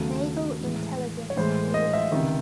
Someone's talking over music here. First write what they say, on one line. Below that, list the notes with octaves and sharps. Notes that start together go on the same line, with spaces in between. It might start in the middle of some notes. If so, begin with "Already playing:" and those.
Naval Intelligence Bureau.
Already playing: D#2 C#3 F#3 A3
A2 E3 G#3
C#5
A2 E3 G#3 C5
D#5
E5
C#2 C3 D#3